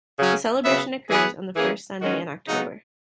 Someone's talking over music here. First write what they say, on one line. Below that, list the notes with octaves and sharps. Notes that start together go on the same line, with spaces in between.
The celebration occurs on the first Sunday in October.
C#3 F#3 C#4
C#3 F#3 B3 E5
E3 B3 G#4
E3 A#3 C#4 G#4
D#3 G#3 C#4 F#4
C#3 F#3 B3 D#4